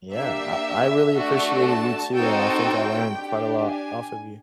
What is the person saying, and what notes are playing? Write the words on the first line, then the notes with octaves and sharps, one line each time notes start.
Yeah, I I really appreciated you too, and I think I learned quite a lot off of you.
A#3 D4 G4 E5
A3 D4 F#4 A4
A5
C4 D#4 F#4 A4 G5
D4 G4
G#5